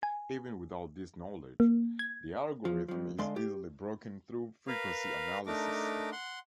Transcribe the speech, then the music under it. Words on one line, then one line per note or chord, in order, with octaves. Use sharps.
Even without this knowledge, the algorithm is easily broken through frequency analysis.
G#5
A#3
G#6
F3
F2 F3
D3 G#3 D5 F5 C6
G4
A#4 B4 F5
A3 D4 D#4 A#4 D6
F#5 C6